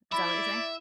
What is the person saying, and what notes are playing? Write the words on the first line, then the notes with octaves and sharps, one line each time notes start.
Is that what you're saying?
E4 D5 E5 B5